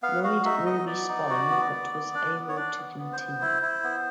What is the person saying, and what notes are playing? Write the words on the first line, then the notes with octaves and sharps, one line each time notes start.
Lloyd Ruby spun, but was able to continue.
B3 F5
F#4 F5
D#4 E5
B3 D#5
B3 D5
D#4
F#4
B3
B3
B3
D4
B3
C#5
D4 D5
B3
B3
C5
B3
E4
E4
B3